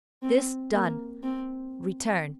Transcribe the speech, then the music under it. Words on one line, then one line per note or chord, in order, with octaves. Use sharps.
This done, return.
C4
A#3
C4